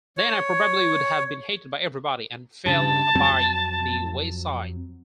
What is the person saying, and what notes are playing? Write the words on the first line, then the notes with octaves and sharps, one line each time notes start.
Then I probably would have been hated by everybody and fell by the wayside.
C#5
G2 C#3 A5
F2 F#3 C4